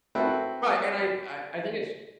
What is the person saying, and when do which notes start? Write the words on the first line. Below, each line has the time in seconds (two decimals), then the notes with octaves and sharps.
Right, and I I I think it's
0.15 C4 E4 F#4 A4 B4